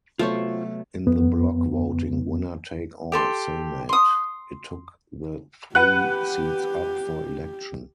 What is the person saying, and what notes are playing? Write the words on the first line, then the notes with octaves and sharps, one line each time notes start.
In the bloc-voting winner-take-all Senate, it took the three seats up for election.
C3 F#3 A3 B3 F4 C5 C#5
F2 B3
G4 A4 C6
C6 D#6
G4 B4 F#5 F#6